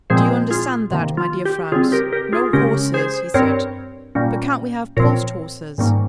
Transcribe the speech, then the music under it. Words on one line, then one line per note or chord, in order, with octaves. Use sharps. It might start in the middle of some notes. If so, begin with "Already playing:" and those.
"Do you understand that, my dear Franz--no horses?" he said, "but can't we have post-horses?"
A#2 F3 G#3 C4 G#4 C5
F4 G#4
C3 D#3 A#3
F4
G4
C#3 G3 C4 F4 G#4
G4 A#4
G4 A#4
F4 G#4
C#3 G#3 C#4 G4 A#4
G#4 C5
G2 G3 C4 A#4 C#5
A#2 G3 A#3 C#4
A#2 F3 C4 A#4 C#5
G#2 D#3 G3 A#3 C#4